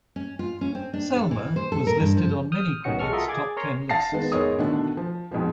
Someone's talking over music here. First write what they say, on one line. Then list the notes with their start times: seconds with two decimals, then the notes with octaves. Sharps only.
"Selma" was listed on many critics' top ten lists.
0.16 C#4
0.39 F4
0.61 C#4
0.75 C4
0.94 D4
1.17 A4
1.31 E3
1.56 C5
1.72 A4
1.87 A#4
2.00 G2
2.17 F3
2.52 D#6 F6 G6
2.84 C2 D#3 B3 C#4 F#4 C#7
2.99 B1 G#3 A4 C#6 F6
3.12 F4 F#4 A4 A#4 D#5 E5
3.28 G#4 D6 G#6 A6
3.57 A#4 C#5 A#5 C6
3.89 F5 A5 A6 A#6 C7
4.12 D#3 G#3 B3
4.32 E2 G#2 G#3 A#4 C#5 D#6
4.58 B2 D3 D#3 A3 D4
4.97 F3
5.31 F2 G#2 B2 F3